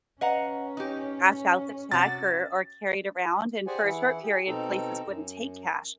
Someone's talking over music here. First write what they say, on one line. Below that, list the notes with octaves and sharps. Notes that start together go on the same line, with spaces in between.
cash out the check or or carry it around, and for a short period, places wouldn't take cash
C#4 B4 D#5 F5 F#5 A#5
D#4 G4
C3 F#4 A6
G4 G#4 C5 D5 F#5 G#5
E3 E4 G#4 F#5
G4 G#4
B2 C4 D#4 A4
F#2